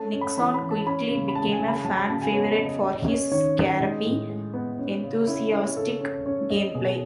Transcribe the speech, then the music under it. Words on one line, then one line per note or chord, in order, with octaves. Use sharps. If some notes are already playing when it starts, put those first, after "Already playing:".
Nixon quickly became a fan favorite for his scrappy, enthusiastic gameplay.
Already playing: A3 C#4 A5
C#4
B5
E3 B5
B5
E3
A5
C#4 B5
C#3
B5
G#3 A5
G#5
C#3
B5
F#3 A5
B5
C#3 A5
G#5
B3 C#5
D#5
C#3
D#5
C#4
C#4
D#3 C#5
C#4
G#3 D#4
A2
G#3
B3
C#4
C#3
C#4 E4
C#4 E4
C#3 A4
C#4
C#4 C#5
C#4 D#5
B2 G#4